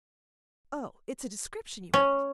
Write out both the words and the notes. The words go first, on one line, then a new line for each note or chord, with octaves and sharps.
"Oh, it's a description you want?"
C#4